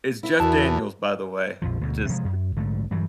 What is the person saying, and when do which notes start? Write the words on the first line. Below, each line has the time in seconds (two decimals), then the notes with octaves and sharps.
it's Jeff Daniels, by the way. Just,
0.23 E4 E5
0.40 E2 F#4 A#4 A5
1.62 A#1 F2 F3
1.81 D2 B2
2.09 C3 F3 F#3 G#3
2.24 F#2
2.56 A#1 G#2 D3 A3
2.91 G2 E3 F#3 G3